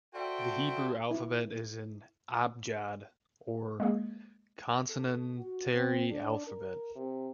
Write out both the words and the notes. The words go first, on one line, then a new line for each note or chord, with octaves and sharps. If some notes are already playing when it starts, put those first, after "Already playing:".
The Hebrew alphabet is an "Abjad" or consonantary alphabet.
F#4 A4 C5 D5 E5 G5
E4
G#3 A#3 G#4
A4
F#4
C4
D4
A#4
C3